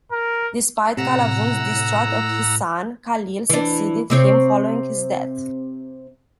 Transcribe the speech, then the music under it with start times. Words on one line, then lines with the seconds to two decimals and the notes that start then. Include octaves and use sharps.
Despite Qalawun's distrust of his son, Khalil succeeded him following his death.
0.12 A#4
0.97 A2 C3 F#5 A#5 E6
3.50 E3 D4
4.10 C3 C4 C#5